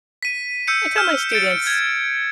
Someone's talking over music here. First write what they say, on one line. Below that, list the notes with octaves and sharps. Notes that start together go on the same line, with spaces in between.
I tell my students,
B6 D#7
E6 G6 C#7 D#7
F6 G6 E7
A6 C#7 D7
G#6